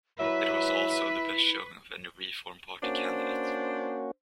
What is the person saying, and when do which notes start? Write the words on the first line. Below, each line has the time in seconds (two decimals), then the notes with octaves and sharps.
It was also the best showing of any Reform Party candidate.
0.20 F#3 E4 B4 E5
2.83 A#3 C#4 D4 F#4 C5